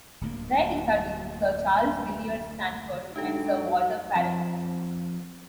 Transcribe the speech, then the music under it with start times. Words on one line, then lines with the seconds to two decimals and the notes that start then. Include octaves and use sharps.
There he studied with Sir Charles Villiers Stanford and Sir Walter Parratt.
0.21 D1 D2 A#3
3.16 G#3 D4 D#4 G4 A4 G5
4.15 F2